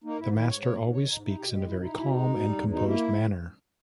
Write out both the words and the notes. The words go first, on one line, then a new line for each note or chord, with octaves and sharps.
The master always speaks in a very calm and composed manner.
A#3 D#4
G#2 E4
D#3 E4
G#2 C#5
A#3 C#5
G#2
D#3 C#5
G#2 D#4
D#4 E4
B2 G4
G#3 G4
B2 E4
D#4 E4
B2 E4
G#3 D#4
B2
G3
E2
B2 D#4
A#3 E4